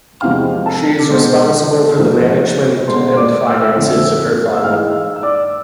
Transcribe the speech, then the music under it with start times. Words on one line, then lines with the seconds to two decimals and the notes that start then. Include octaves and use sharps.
She is responsible for the management and finances of her farm.
0.21 E2 C3 F3 G#3 F5 F6
0.66 A4 A5
0.99 D6
1.10 B2 G#3 C5 C6
1.99 G#2 F3 A3
2.87 B2 G#3 C5 C6
3.08 C6
3.17 D5 D6
3.47 E6
3.53 F6
3.61 E5 E6
3.75 F2 D3 F3
4.54 E6
4.64 G#2 E3 G#3 F5 F6
5.16 E6
5.23 D5 D6